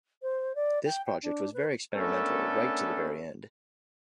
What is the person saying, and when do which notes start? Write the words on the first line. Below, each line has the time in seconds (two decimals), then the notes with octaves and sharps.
This project was very experimental right to the very end.
0.22 C5
0.55 D5
0.85 G5
1.06 G5
1.23 D4
1.54 B4
1.95 A3 B3 C#4 D4 A4 A#4